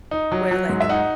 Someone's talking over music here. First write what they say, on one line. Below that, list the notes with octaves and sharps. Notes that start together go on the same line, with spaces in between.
where, like,
D#4
F#3
F#3
G#2
E5
D#4 F#5